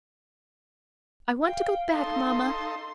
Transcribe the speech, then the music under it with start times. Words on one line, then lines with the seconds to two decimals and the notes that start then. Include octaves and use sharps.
I want to go back, mamma.
1.45 F5 G5
1.95 D#4 A4 C6